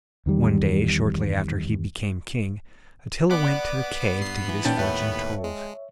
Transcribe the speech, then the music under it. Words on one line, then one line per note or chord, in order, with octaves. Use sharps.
One day, shortly after he became king, Attila went to the cave to get his fortune told.
E2 D#3 G3
B3 D5 F#5 D6
G2 C7
E3
A#2 C#4 D#4 A4 G5 A5
D#2 A2 B4 C#5 E5
G#3